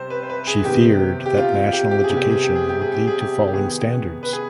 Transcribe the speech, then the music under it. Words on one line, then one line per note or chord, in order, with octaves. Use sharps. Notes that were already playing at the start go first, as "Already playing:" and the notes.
She feared that national education would lead to falling standards.
Already playing: C3 G3 C5
B4
C5
B4
G#4
C3 D#3 B3 G4
G4
F4
F4
G4
G4
G#4
C3 G3 B3
G4
G#4
G4
G#4
G4
G#4
G4
G#4
G4
G4
D#3 B3 G#4
B4
G#4